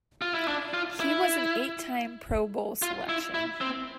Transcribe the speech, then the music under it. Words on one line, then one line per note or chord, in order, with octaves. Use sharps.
He was an eight-time Pro Bowl selection.
F4
E4
D4
F4
E4
F4
E4
E4
C4